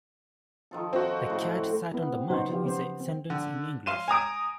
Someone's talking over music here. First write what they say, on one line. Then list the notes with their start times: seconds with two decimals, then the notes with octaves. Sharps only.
"The cat sat on the mat" is a sentence in English.
0.71 D#3 F3 A4
0.93 C4 F#4
1.29 A2 C#3 C6
1.91 B3 E4 A#4
2.12 C4
2.30 C#3 F#3 B3 D#4 F#4 C5
2.50 F3 B3 F4 G4
2.64 C#3 B3 C5
3.00 C4
3.30 D3
3.86 F5 C6 D#7 E7
4.08 G#5 A#5 D#6 D7